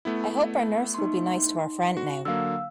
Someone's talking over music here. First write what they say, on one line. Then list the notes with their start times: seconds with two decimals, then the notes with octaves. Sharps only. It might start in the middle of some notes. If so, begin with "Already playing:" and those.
I hope our nurse will be nice to our friend now.
0.05 A3 B3 E4
0.94 D#4 C6
1.97 F#4
2.25 D3 F#3 A#3 F5 E6